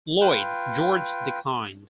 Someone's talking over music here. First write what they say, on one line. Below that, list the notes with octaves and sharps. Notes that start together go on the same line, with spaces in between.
Lloyd George declined.
F4 B4 G5